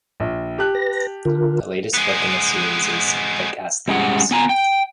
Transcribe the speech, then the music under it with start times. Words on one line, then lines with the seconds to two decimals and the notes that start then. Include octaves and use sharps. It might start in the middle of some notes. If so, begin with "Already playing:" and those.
The latest book in the series is "Thick as Thieves".
0.20 A#1
0.58 G4 A5 F#6
0.75 B4 A#6
1.25 D3 F4 A#4
1.94 G#3 B3
3.88 G3 G#3 C#4 G#4 F#5
4.31 B3 G#5 A#5
4.49 G5